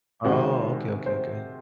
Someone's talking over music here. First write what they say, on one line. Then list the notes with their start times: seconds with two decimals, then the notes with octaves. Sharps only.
Oh, okay, okay, okay.
0.24 C3 D#3 G#3 C4 F#4
1.06 C5